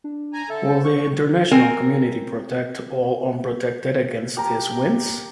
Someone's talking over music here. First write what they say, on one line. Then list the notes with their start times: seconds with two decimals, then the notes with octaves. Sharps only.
Will the international community protect all unprotected against these winds?
0.04 D4
0.33 G#5 A#5
0.50 D3 A4 E5
0.67 C5
0.84 C#6
1.51 C4 A#4 G#5
4.37 G4 A#4 A5 A#5